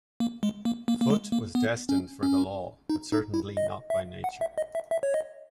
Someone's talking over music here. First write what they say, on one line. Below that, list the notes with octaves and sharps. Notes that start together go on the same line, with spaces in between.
Foote was destined for the law, but certainly not by nature.
A#3
G#3
A#3
A#3
A#3
G#3
A#3
B3
C#4
C#4
D#4
D#4
E4
D#5
E5
F#5
E5
D#5
E5
E5
C#5
D#5